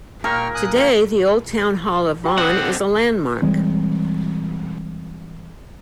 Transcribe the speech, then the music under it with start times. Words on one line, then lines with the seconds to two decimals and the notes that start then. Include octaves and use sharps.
Today, the old town hall of Vaughan is a landmark.
0.24 A#2 A#4 G5 C#6 F6
0.55 G#5 D#6 F#6
0.74 F3 G3 A#3 G5
2.24 F4 G5 C6
2.38 D3 C4 D#5 F#5 D#6
3.42 E3 G3 G#3 C4